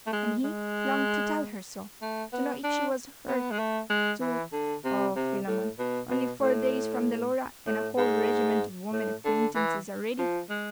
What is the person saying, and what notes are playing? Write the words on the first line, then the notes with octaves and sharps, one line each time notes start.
And he longed to tell her so--to know if she was hurt--to--Oh, Philammon! only four days from the Laura, and a whole regiment of women acquaintances already!
A3
G#3
G#3
A3
B3
D4
B3
G#3
A3
G#3
E3
D3
C3
C3
A2
B2
B2
A2
A2
G#2
A2
D3
E3
F3
G#3